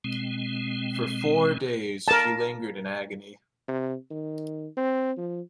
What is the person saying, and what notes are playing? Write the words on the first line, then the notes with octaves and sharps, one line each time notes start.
For four days she lingered in agony.
B2 G#3 C4
A#4 A5
C3
D#3
C4
F3